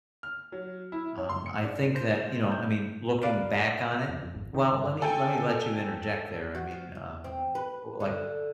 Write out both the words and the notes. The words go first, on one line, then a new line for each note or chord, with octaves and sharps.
um, I think that, you know, I mean, looking back on it well, let me let me let you interject there. I mean, um, like,
F6
F#3
E4
C#5
C6
C#7
D4
C5
G6
A#4 B4 D5 F5
F2
F2
G#1
D#3
G2
A4 G5 G#5
F#4
F3
E2
C4
B4
D3